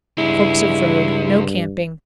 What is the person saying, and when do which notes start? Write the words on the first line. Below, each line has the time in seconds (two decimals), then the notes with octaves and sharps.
Forks of Road.--No camping.
0.18 C#2 G2 G#3 E4